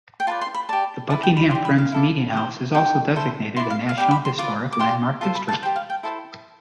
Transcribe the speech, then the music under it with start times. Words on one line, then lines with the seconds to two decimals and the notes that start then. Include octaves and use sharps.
The Buckingham Friends Meeting House is also designated a National Historic Landmark District.
0.20 G5
0.27 F4 B4 D5 A5
0.41 C6
0.54 B5
0.69 G4 D5 A5
1.10 E4 B4 D5 A5
1.23 G5
1.37 B5
1.50 D5 C6
1.55 G4
1.65 B5
1.78 F5
1.92 E4 A4 D5
2.33 G4 C5
2.74 G4 C5 G5
3.16 E4 A4 C5
3.56 E4 B4 D5 C6
3.70 F5
3.89 F5
3.97 G4 B4 D5 G5
4.11 B5
4.25 C6
4.38 F4 B4 D5 D6
4.73 D6
4.79 G4 D5 C6
5.21 F4 A4 C5 A5
5.35 B5
5.48 A5
5.62 C5 G5
5.66 G4
5.76 F5
5.90 G5
6.03 E4 A4 C5 A5